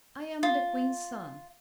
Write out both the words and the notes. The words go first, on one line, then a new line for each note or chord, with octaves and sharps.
I'm the Queen's son.
F4